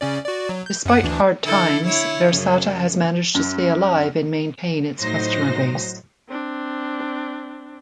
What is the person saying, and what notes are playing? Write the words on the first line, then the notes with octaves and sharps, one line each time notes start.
Despite hard times, Versata has managed to stay alive and maintain its customer base.
C#3 C#4 D5
F#4 D5
F#3
G6
F#2 F#5
D2 E3 D4
D3 E4 A4
E4 C#5
F#2 C#3
F#2
A2 F#3 D#4 F#4 C5 A#6
C4 D4